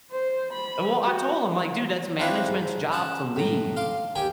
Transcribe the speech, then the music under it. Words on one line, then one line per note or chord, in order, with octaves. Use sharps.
And well, I told him, like, "Dude, that's management's job to lead,"
C5
B5
F#4 G5
C4 D4 E4 F4 B4 C#5
G#2
C#4 F#5 A5
A2 A#5
F5 C6 D6
D#2 G4 G5 G#5